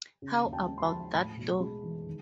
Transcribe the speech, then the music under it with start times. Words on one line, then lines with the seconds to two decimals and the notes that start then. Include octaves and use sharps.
How about that door?
0.22 C#3
0.45 D#2
0.53 G5 A5
0.68 G#3
0.78 C6
0.83 A5 B5
0.91 F3
1.14 A2 A5 B5
1.37 B1
1.60 G#3
1.83 E3
2.06 D#3